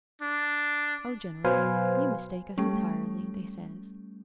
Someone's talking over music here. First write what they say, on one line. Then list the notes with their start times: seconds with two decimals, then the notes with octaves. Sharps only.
"Oh, General, you mistake us entirely!" they says.
0.22 D4
1.45 B2 F#3 B4 C5 F5 G#5
2.58 G3 A3 C#4